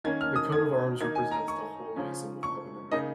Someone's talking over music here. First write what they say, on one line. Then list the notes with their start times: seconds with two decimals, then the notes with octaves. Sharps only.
The coat of arms represents the holism of heaven and earth.
0.04 D#3 A#3 C#4 G#6
0.21 F6
0.36 D#6
0.52 G#6
1.00 D#3 A#3 D#4 G#6
1.15 G#5
1.31 A#5
1.48 C#6
1.96 C#3 F3 C#4
2.43 C#6
2.91 C#3 A#3 D#4 D#5